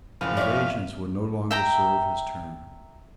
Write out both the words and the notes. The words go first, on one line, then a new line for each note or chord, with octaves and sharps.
Evasions would no longer serve his turn.
F#1 E3 F3 B3 C4 F5
C#5 D5 E5
E5 G5 A#5